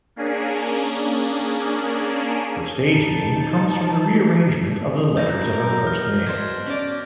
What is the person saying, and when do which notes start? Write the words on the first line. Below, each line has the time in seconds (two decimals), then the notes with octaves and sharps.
Her stage name comes from the rearrangement of the letters of her first name.
0.16 A#3 C#4 D4 G#4
2.83 D#4 A5
5.17 A2 D#4 E4 G6 A#6
5.53 F#3 A#4
5.87 F6
6.26 B2 D4 C5 G#6
6.66 C#4 D5